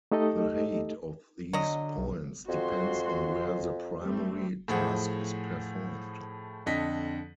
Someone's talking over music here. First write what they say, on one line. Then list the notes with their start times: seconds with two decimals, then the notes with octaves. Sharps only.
The height of these points depends on where the primary task is performed.
0.12 A3 D#4 G4 A4 D#5
1.53 D3 F#3 D#5
1.98 B1
2.48 F2 F#4 C6
3.99 G3 A3 C4
4.68 A2 F3 E4 G#4 C5 F#5
6.66 F2 D3 D#5 B6